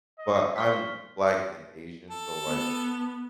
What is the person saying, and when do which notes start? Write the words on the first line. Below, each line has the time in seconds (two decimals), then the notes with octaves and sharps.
But I'm Black and Asian, so, like,
0.18 D#5
0.56 C5 C#6 F6 B6
2.11 A4
2.47 B3